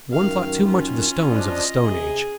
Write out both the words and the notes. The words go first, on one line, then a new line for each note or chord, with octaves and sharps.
One thought too much of the stones of the Stone Age.
F#2 D#3 F5
C#4 F4
F3 D4 D#5
C3 G#4